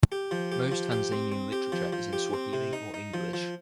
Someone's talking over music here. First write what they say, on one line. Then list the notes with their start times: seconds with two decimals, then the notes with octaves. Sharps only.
Most Tanzanian literature is in Swahili or English.
0.12 G4
0.31 F3
0.52 G4
0.72 F3
0.92 G4
1.12 C4
1.32 C4
1.52 G4
1.72 F3
1.93 F3
2.13 G4
2.33 C4
2.53 C3
2.73 D#4
2.94 D#4
3.14 F3
3.33 F3